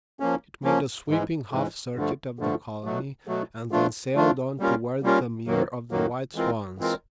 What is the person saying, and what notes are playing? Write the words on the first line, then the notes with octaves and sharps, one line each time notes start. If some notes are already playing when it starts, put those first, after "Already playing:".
It made a sweeping half-circuit of the colony, and then sailed on toward the mere of the white swans.
F3 A#3 C#4
F3 A#3 C#4
G#2 E3 G#3
G#2 E3 G#3
G2 D3 F3 A3
G2 D3 F3 A3
B2 F#3 A3
B2 F#3 A3
F3 A3 D4 F4
F3 A3 D4 F4
G3 A#3 C#4 F4 A#4
G3 A#3 C#4 F4 A#4
F#2 D#3 F#3 A#3
F#2 D#3 F#3 A#3
E3 G#3 C4 F4 A#4
E3 G#3 C4 F4 A#4